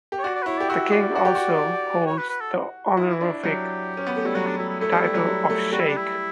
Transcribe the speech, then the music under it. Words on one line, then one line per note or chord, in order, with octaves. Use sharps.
The King also holds the honorific title of sheikh.
G4
C#5
F#4 D5
D5
B4
E4 C#5
G4 D5
F#4 E5
E5
F#4 D5
F#4
G4
F#4
C#5
B4
B4
A4
E4
D4
F#3 G4
C#4
B3
A3
G3 E4
F#3 F#4
D4
G3 E4
E4
A3 E4
G3
G3
F#3
G3
A3
G3 F#4
E4
D4
E4